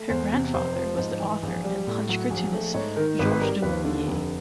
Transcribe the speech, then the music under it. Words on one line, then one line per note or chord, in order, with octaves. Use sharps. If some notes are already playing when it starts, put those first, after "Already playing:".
Her grandfather was the author and Punch cartoonist George du Maurier.
Already playing: A3
E2 C5
C3
F1 C5
F3
G#2
E3
A#1
G3
A2
F#3
A#1
A3
G#2 C#5
D#3 A#4
G#1 B4
B4
G3 A#4
D#2 B4
D3
F1